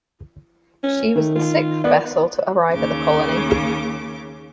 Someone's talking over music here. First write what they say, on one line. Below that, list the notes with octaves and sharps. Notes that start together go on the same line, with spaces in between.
She was the sixth vessel to arrive at the Colony.
C#4
D#3 A3
F4
B3 D5
D#2 C#3 D6